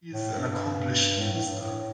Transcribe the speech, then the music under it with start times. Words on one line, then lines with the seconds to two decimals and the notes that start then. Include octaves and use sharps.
He is an accomplished minister.
0.13 A2
0.33 G2
1.18 A2
1.32 A2
1.46 G2
1.60 A2